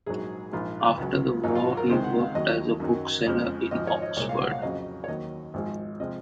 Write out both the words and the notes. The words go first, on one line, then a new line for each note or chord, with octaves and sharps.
After the war, he worked as a bookseller in Oxford.
A#1 G#2 F#3 G#4
A#1 G#2 F3 F4
C#2 C#3 F#3
G#1 G#2 F#3 D#4
F4
F#4
A#4
C#2 C3 D#3 G#3 C5
F#5
F5
D#2 D#3 F#3 D#5
F#2 D#3 F#3
F2 C#3 F3 G#3
G#1 G#2 F3 D#5
C#5
D#5
C2 A#2 G#3 C#5
F5
F#5
F5
F2 C#3 F#3 D#5
C#5
D#2 D#3 F#3 D#5
G#1 G#2 F3 G#3
C3 F3 G#3 D#5